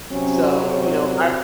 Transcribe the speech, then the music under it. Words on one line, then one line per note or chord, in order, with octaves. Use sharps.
So, you know, I
C3 F#3 C4 C#4